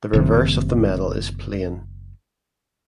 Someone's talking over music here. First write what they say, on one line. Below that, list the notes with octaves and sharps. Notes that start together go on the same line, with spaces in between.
The reverse of the medal is plain.
F#1 C3 D#3